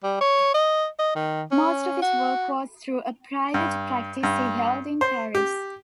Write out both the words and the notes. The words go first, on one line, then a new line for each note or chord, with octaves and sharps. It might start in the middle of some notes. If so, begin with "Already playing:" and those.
Most of his work was through a private practice he held in Paris.
G3
C#5
D#5
D#5
D#3
C#4
F#4
G2
G2
C5
G4